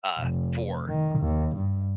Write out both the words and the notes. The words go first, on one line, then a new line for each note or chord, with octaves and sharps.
uh, for
F1
D#3
D#2
G2